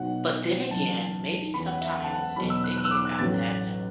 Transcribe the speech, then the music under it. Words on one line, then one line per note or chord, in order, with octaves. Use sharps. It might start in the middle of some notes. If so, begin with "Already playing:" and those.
but then again, maybe sometimes in thinking about that,
Already playing: B1 B2 F#3 F#5
F#1 F#2 E3 A5
E2 E3 B5
F#5
E5
F#5
A5
F#5
E2 B2 F#3 B5
E6
F#6
F#6
E6
D6
F#6
A1 A2 F#3 A6